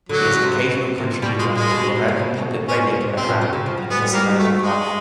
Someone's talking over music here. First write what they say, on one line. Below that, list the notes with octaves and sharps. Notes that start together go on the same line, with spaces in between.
He is an occasional contributor to the American public radio program "This American Life".
D3 F#3
C#3
C3
B2
A#2
B2 G3
A#2 G#3
A#2 G#3
B2
C3
B2
C3
B2
C3 C#4
C3
C3 C4
A#2
B2
C3
C#3
F3
F#3
G#3 B3
G3
G3 A#3
F#3
A3
G#3